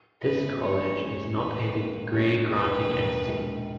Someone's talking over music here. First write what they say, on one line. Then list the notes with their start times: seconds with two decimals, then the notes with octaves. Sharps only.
This college is not a degree-granting entity.
0.22 G#1 F#2 C#3 F#3 B3 B4
0.60 G#1 F#2 E3 A#3 C#5
0.98 C#2 C#3 G#3 D#4
1.36 E2 D#3 A#3 B4
1.74 A#1 G#2 D#3 A#3
2.13 A#1 A#2 G#3 B3 D#4 C#5
2.50 E1 D#2 D#3 G#3 B4
2.88 E1 D#2 D#3
3.26 A#1 G#2 D#3